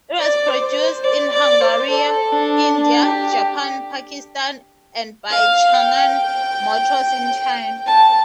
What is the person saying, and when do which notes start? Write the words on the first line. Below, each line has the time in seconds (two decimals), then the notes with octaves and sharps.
It was produced in Hungary, India, Japan, Pakistan and by Chang'an Motors in China.
0.19 D5
0.48 C5
0.76 C5
1.04 D5
1.33 D5
1.61 C5
1.90 A4
2.33 D4
2.75 D4
3.03 G4
5.30 F5
5.74 G5
7.86 A5